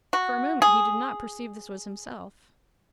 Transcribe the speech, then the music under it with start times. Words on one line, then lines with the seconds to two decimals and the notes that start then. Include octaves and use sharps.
For a moment he did not perceive this was himself.
0.13 F#4
0.62 G#4